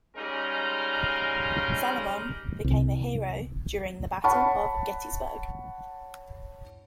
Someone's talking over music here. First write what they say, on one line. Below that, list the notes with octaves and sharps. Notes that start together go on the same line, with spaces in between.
Salomon became a hero during the Battle of Gettysburg.
G3 G#3 C#4 D#4 A#4 F5
C2
C#5 F#5 A5 B5 C#6